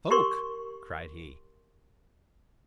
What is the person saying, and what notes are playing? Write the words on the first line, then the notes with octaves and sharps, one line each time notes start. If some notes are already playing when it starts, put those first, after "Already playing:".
"Folk?" cried he.
G4 A#4 C6 C#6